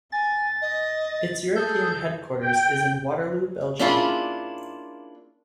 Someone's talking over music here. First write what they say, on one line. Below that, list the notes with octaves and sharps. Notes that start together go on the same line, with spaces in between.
Its European headquarters is in Waterloo, Belgium.
G#5 A6
D#5
G#4 A4 G6
G5
A#3 C#4 D4 E4 F4 G#4